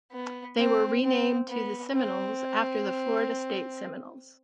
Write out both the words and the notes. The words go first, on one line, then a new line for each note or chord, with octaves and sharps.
They were renamed to the Seminoles after the Florida State Seminoles.
B3
C4
C4
B3
C4